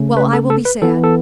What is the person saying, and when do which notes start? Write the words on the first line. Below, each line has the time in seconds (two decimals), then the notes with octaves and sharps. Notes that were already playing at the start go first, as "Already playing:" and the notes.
"Well, I will be sad."
Already playing: C#3 A3 C#4
0.17 B4
0.33 A4
0.50 A4
0.65 B4
0.82 E3 B3 A4
1.04 A4